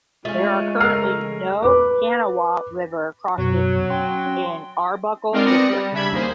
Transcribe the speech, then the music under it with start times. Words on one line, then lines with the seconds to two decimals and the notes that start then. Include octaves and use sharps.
There are currently no Kanawha River crossings in Arbuckle District.
0.25 G#3 A3 C#4 F4
0.80 C#3 A#4 F6 C7
1.62 B4 D6
3.38 F#2 B2 F#3 C#5
3.90 C#4 G5 C6
5.32 G#3 C4 D4 D#4 F4 A#4
5.45 B3 C4 D5 D#6 A#6 C#7
5.68 G3
5.92 C#3 G3 D4 E5 B5 G#6
6.11 D#2 A#3 G#4 C5